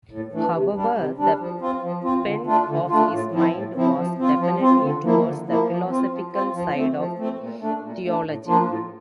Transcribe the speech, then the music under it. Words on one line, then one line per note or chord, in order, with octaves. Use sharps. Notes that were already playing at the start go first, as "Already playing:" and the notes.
However, the bent of his mind was definitely towards the philosophical side of theology.
A2
E3 A3 D4
C3
G3 D4
C3
G3 D4
F3
C4 F4
F3
C4 F4
D3
A3 D4 F4
D3
A3 D4 F4
A2
F3 C4 E4
A2
F3 C4 E4
F3
C4 F4
F3
C4 F4
D3
F3 A#3 E4
D3
F3 A#3 E4
F3
C4 F4
F3
C4 F4
F3
A3 C4
F3
A3 C4
A#2
A3 D4
A#2
A3 D4
A2
F3 A#3 D4 F4
A2